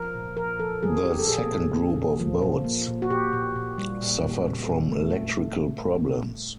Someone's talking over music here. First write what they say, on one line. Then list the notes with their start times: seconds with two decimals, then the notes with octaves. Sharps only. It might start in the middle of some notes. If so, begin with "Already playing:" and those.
The second group of boats suffered from electrical problems.
Already playing: F3 A#4
0.15 A#2
0.37 F3 A#4
0.60 F3 A4
0.82 F3 G#4
1.05 F3 G4
1.19 A4
1.28 A#2 G#4
1.51 A#2
1.74 A#3
1.96 A#2
2.20 F3
2.42 A#2
2.64 A#3
2.87 A#2
3.02 F#4
3.10 A#2 G4
3.33 A#2
3.56 A#2
3.78 G3
4.02 A#2
4.24 A#2
4.47 A#2
4.69 A#2
4.92 A3